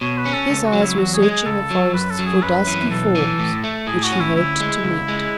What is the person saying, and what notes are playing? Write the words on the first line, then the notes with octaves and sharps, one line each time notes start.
His eyes were searching the forests for dusky forms, which he hoped to meet.
B2 C#5
B4
C#4
A4
C#2 A4
F#4
F#3
E4
E2 F#4
G#4
G#3
G#4
C#2 A4
F#3
F#2 B4
A4
F#3
G#4
F#2 B4
E3
B1 A4
E3
A2
A3
A2 G#4
F#4
C#4
E4
D2 E4
G#3
C#2
G#3